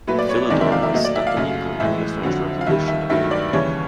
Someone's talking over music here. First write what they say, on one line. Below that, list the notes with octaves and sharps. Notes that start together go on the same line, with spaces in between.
Philidor was stuck in England when the French Revolution occurred.
A#2 F#3 A3 B4
D5
C#5
E2 C3 D#3 G#3 D5
E5
F5
E5
A#2 F#3 A3 D#5
D5
E5
F5
F#2 C#3 F#3 A3
A2 E3 G#3 E5
F2 D3 F#3
F5
D#2 D#3 G3 E5
E5
G2 D#3 F#3 A3 E5
D5
D#2 C#3 E3 G3 C#5